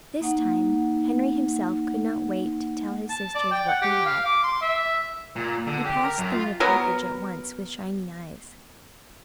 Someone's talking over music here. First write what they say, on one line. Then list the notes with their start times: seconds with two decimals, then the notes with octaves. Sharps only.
This time Henry himself could not wait to tell his sisters what he had. He passed them the package at once, with shining eyes.
0.21 A#3 D#4 F#5
3.09 A5
3.35 D5
3.51 G5
3.68 F#5
3.82 G4
4.05 F5
4.25 D6
4.43 C6
4.61 E5
5.36 A#2
5.67 D3
5.85 G4
6.04 A#4
6.18 F#2
6.31 F4
6.60 F#3 B3 A#4